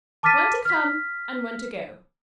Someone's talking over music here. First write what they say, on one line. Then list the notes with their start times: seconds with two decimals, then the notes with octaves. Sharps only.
One to come, and one to go.'
0.23 A5 D6 F6 A6 B6 D#7
0.65 F6 B6